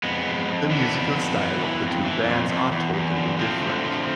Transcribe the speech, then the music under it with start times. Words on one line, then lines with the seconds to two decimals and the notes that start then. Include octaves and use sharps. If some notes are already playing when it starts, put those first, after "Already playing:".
The musical style of the two bands are totally different.
0.03 F2 G#3 B3
0.27 F2
0.48 F2
0.71 E3 B3 D4
0.93 F2
1.16 F2
1.38 E3
1.60 E3
1.82 F2
2.05 E3
2.27 F2
2.49 F2
2.72 E2
2.94 E2
3.16 D3
3.39 F3 A3 C4
3.61 D3
3.83 F3